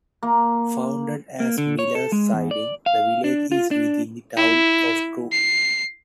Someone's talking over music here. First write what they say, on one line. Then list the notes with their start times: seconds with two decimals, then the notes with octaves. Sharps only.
Founded as Miller's Siding, the village is within the town of True.
0.23 A#3
1.40 A#3
1.58 D3
1.79 C#5
1.95 A4
2.12 G#3
2.33 E2
2.51 D5
2.86 F5
3.24 D4
3.52 F4
3.71 D4
4.36 E4
5.32 C7